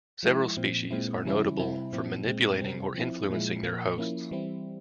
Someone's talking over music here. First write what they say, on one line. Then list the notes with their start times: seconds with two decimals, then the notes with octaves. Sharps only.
Several species are notable for manipulating or influencing their hosts.
0.23 F3 G#3 E4
0.57 A#2 F3 C4
0.91 A#2 G#3 C4 E4
1.25 C#3 E3 G3 C#4 E4
1.59 C3 G3 C4 E4
1.93 A#2 F3 C4 E4
2.27 A#2 G#3 C4
2.61 C3 G3 C4
2.95 F3 C4 E4
3.29 A#2 F3 G#3 E4
3.63 A#2 F3 A#3
3.97 F3 A#3 C#4 E4
4.31 E3 G3 C4 E4